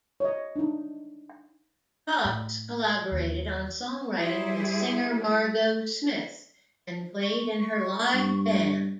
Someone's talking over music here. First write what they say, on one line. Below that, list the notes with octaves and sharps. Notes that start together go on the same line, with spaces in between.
Koppes collaborated on songwriting with singer Margot Smith, and played in her live band.
C#5 D#5
D4 D#4
A2
D#2
G3 E4 G4 G#4 C5
C#6
G2